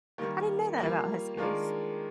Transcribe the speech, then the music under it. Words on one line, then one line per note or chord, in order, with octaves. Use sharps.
I didn't know that about Huskies.
D#3 G3 A#3
G3 A#3 F4
D#3 G#3 D4 F4 A#4